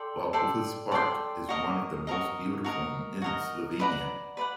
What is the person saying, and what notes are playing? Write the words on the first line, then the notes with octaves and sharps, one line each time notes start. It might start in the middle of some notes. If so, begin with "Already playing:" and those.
Valpovo's park is one of the most beautiful in Slavonia.
Already playing: A4 D5 G5 C6
A4 D5 G5 C6
A4 D5 G5 C6
F#4 A#4 D#5
F#4 A#4 D#5
F#4 A#4 D#5
F#4 A#4 D#5
B4 D5 F#5 A#5
B4 D5 F#5